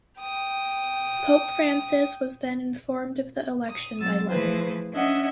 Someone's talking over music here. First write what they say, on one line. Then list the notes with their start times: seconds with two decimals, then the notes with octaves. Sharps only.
Pope Francis was then informed of the election by letter.
0.19 G5 D#6
3.70 D#6
4.00 F#3 C4 E6 A6
4.30 E3 F3 A3 G#4 B4 C5
4.92 C#4 D4 D#5 E5 F#5